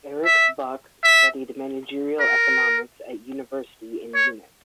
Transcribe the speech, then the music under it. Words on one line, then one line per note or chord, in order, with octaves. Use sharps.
Erich Buck studied managerial economics at university in Munich.
E5
E5
A#4
C#5